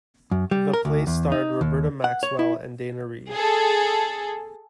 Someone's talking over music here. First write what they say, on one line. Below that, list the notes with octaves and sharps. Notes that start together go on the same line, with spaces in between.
The play starred Roberta Maxwell and Dana Reeve.
F#2
G3
A#4
D2
E2
D#4
D#2
F#5
C#5
E4
G#4 A4